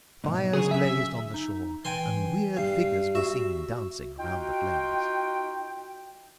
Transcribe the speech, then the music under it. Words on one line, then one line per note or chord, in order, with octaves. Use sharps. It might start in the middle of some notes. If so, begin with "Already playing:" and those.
Fires blazed on the shore and weird figures were seen dancing around the flames.
B1 F2 G#2
D2 C#3 F#3 G#4
E5
D#4
E3 G5 G#5 C6
G2 C7
F#4 E5
D#4 F4 F#4 G5